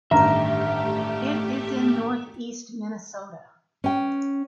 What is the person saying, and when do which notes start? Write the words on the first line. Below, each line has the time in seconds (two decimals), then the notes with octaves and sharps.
It is in northeast Minnesota.
0.11 A1 G2 D#3 A3 G4 E5 A#5
3.84 C#4 G5